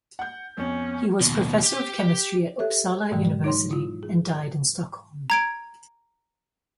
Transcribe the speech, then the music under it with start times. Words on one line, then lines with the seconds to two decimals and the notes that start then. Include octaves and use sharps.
He was professor of chemistry at Uppsala University, and died in Stockholm.
0.19 F#5 G6
0.58 F2 B3 C#4
1.21 D#2 B2
1.63 G4 G5
2.59 G4 A4 C#5 E5
3.11 G#2 B2 D#3 E3 F#3 G#3
3.44 D#4 C#5 C6
3.71 E4 F4
4.03 G#4
5.30 A#5 G#6 D7